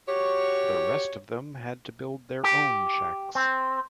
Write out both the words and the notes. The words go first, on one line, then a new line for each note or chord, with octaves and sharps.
The rest of them had to build their own shacks.
F#4 G4 C#5
G4
C4